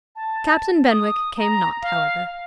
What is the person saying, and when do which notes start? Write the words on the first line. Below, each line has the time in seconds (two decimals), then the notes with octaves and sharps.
Captain Benwick came not, however.
0.16 A5
0.91 D#6
1.38 A#5
1.82 F5